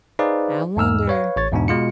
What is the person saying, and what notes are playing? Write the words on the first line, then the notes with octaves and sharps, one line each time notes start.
I wonder.
D#4 G#4 B4 C5 D5 F5
E2 G#2 E6 F6
B4 C#5 F5
A1 C#5 A6
E2 G#2 B2 D4
B2 G#3 F4 C#7